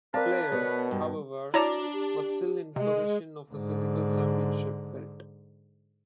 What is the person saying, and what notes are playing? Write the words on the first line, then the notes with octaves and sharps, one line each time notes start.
Flair, however, was still in possession of the physical championship belt.
C4 A#4 B4 D5 F5 A5
B2 B3 C#5
G2
D4 E4 F#4 C#5 D5 A5 A#5
G4
C3 G#3 D#5
G#2 D3